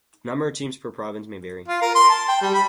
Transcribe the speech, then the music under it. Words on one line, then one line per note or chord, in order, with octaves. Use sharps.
Number of teams per province may vary.
F4
A#4
C6
A5
G5
G3
B5